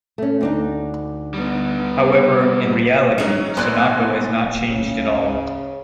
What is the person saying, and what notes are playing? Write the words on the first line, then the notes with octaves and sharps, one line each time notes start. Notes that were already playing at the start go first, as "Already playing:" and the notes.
However, in reality Sunako has not changed at all.
A3 C#4
D2 D4 D#4
G3 B3
D#3 F#3 C#4 G#4 D#5
A#1 B3 C5 D5 G#5 F#6
C#3